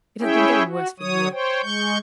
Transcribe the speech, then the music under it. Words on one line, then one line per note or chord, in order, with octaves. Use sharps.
It has been getting worse for years.
C#4 E4 G#4 C#5 E5 G5
F#4
F#3 C#5 D#6
C5 C#5 G5
G#3 C#6 G6